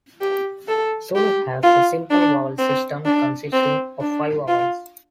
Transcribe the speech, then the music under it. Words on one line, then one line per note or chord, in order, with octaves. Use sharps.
Zulu has a simple vowel system consisting of five vowels.
G4
A4
G4
F4
D4
C4
D4
C4
D4
F4